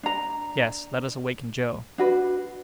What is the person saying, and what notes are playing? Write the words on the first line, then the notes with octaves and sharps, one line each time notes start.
"Yes, let us waken Joe."
D4 A#5
D4 F#4 B4